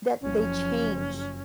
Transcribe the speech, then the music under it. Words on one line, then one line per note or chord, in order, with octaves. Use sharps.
that they change
F#1 F3 C#4